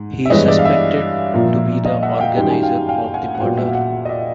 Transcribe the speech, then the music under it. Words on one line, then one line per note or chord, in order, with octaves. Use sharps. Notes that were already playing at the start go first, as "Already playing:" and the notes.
He is suspected to be the organizer of the murder.
Already playing: G#2
E5
G2 E3 G#3 B3 C#5 D#5
D5 E5
F5
D5 E5
A#2 F3 A#3
D#5 F5
E5 F#5
F5 G5
F#2 D#3 G3 G5
G#5
F5 G5
F5 G5
G5
F#5 G#5
F#5
A#2 F#3 B3 F5 G5
E5 F#5
F5
E5 F#5
D#5
D5 E5